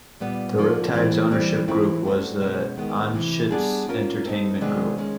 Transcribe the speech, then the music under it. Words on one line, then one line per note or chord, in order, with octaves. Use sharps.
The Riptide's ownership group was the Anschutz Entertainment Group.
A#2 G3 B3
D3 F3 A#3
A2 E3 G#3 C4
E3 G3 C4
E3 A3 C4 E4
D3 F#3 A3 C4
B2 G#3 C#4
D#3 G#3 B3
C3 E3 A3
G3 B3 D4 F4 G#4
A#3 C#4 F4 A#4
A3 C4 D#4
C3 D#3 G#3 B3 D4
D#3 G#3 C#4